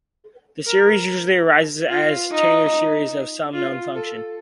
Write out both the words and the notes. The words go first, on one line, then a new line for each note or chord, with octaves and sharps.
This series usually arises as the Taylor series of some known function.
A#4
F4
D#4
F4
A4